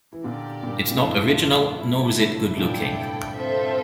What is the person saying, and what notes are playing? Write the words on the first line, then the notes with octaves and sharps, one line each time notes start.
It's not original, nor is it good looking.
E3
A#2 D3 G4 A#4 D5
G2 A#2
A#2
F2 A2 D4 F4 A4 E5
F2
G2 A3 E4 A4
D3
A2 C3
G2 A#2 E4 A4 D5 G5
C4 F4 A4 C5 E5